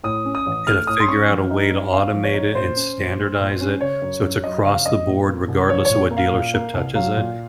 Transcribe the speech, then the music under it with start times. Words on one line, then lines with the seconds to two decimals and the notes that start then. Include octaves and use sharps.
and, uh, figure out a way to automate it and standardize it so it's across the board regardless of what dealership touches it,
0.04 A2 D#6
0.25 C#4
0.35 D#6
0.46 A1
0.67 A3 F6
0.87 A2 D#6
1.00 C6
1.08 C#4 C#6
1.29 F3
1.50 D#4
1.71 F#2
1.92 C4 F5
2.14 F3
2.24 C#5
2.34 D#4
2.55 A#2 C5
2.76 C#4
2.97 A#1
3.18 A3
3.39 A#2
3.60 C#4
3.81 C#3 C#5
4.02 F#2
4.22 F#2
4.44 F#3 D#5
4.64 C#3 F5
4.85 F#2 D#5
5.07 A#2
5.27 A#3
5.48 C2
5.69 F3 C#5
5.85 A#2 C#5
6.11 A#3
6.17 F5
6.32 A#2
6.54 A#3
6.74 C2
6.95 F#3 F5
7.16 A#2